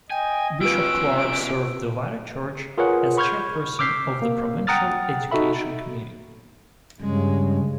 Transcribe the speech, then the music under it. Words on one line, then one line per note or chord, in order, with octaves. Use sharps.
Bishop Clarke served the wider church as chairperson of the Provincial Education Committee.
D#5 G5 G#5
B2 C#4 F4 B4 E6 D7
F4 G#4 A#4 B4 C#5 F#5
B5 C#6 F6 G6 G#6
D6 E6 F6 G6 B6 C7
A#3
F#5 G5 A#5 D#6 F6 A6
D#4 F#4 A4 E5 B5
G2 C#3 G#3